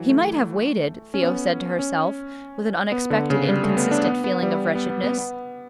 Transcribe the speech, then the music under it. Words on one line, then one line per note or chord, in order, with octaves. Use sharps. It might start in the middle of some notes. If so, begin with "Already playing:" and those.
"He might have waited," Theo said to herself, with an unexpected, inconsistent feeling of wretchedness.
Already playing: E3 F#3
A3
C#4
B3
C#4
B3
D3
C#3
G3
A3
B3
D4
B3
B3
G3
B3
B3
B3
B3